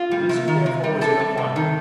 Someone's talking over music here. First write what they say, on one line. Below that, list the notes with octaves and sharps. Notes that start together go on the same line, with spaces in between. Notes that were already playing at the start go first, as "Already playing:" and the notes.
The Lizard therefore was in a quandary.
Already playing: F4
G3
C3
D#3
C3
G3
C3 A4
G3
C3
D#3